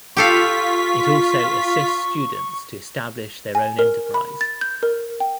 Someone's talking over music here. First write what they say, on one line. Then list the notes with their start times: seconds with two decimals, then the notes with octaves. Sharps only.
It also assists students to establish their own enterprise.
0.17 F4 G4 A4 F5 C#6 B6
3.55 G#5
3.79 A#4
4.14 B5
4.41 A6
4.61 G6
4.83 A#4
5.20 G5